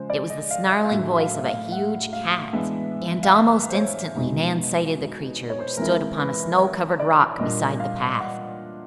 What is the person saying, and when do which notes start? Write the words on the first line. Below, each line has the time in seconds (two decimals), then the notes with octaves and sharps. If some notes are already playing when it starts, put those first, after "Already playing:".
It was the snarling voice of a huge cat and almost instantly Nan sighted the creature which stood upon a snow-covered rock beside the path.
Already playing: C#3 F3 G#3 C5
0.10 D5
0.30 D#5
0.51 F5
0.70 E5
0.85 F5
0.91 A2 F#3 A3 D4 E5
1.18 F5
1.34 E5
1.45 F5
1.72 F#5
2.13 F5
2.53 E3 G#3 B3 D4 E5
3.23 F5
3.34 E5
3.69 C5
3.75 C#5
4.15 B2 G#3 B3 D#4
5.50 C#5
5.59 C5
5.68 B4
5.77 E3 G#3 C4 E4 A#4
6.18 B4
6.58 C#5
7.00 D5
7.39 A#2 G3 A#3 D4 D#5
7.80 F5
8.20 F#5